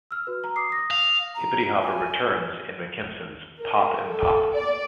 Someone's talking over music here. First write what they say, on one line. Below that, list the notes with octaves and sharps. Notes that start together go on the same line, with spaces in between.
Hippety Hopper returns in McKimson's Pop 'Im Pop!
E6 F6
F#4 B4
A#5
D6 D#6 C7
D#6 A#6
F5
A#5
G#5
A#4
A4
D5